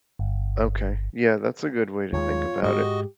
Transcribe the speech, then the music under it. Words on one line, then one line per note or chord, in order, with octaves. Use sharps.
Okay, yeah, that's a good way to think about it.
G1
D#2 D#3 G#3 F4 C#5
G#2 G#3 F#4 G4 D#5